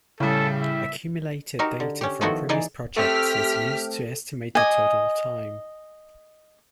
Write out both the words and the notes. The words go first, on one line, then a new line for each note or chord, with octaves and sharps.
Accumulated data from previous projects is used to estimate the total time.
A2 C#3 G3 A4
E5
D#4 F#4 G4 A#4
D3
C#4 G4
D#3 F3 A3 B3 E4 F#4
E3 D#4 G#4 D5 D#5
A3 C4 G4 A4 E6 F6 B6
D#5 G#5